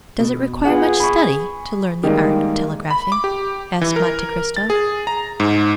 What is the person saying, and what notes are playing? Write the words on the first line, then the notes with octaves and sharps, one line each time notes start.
"Does it require much study to learn the art of telegraphing?" asked Monte Cristo.
B2
B3 F4 G#4 F#5
B5 C#6
D#3 G3 G#3 A#3
B5
D6
G4
E3
A#4
A6
G#4
A#5
G#2